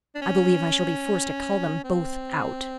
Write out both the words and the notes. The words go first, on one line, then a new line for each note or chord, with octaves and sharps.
I believe I shall be forced to call them both out.
D4
C#4
C4